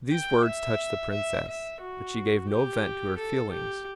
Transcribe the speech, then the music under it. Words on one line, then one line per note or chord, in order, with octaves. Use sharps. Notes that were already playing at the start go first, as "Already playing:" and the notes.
These words touched the Princess, but she gave no vent to her feelings.
G5
E5
E5
E5
F#4
G4
A4
G4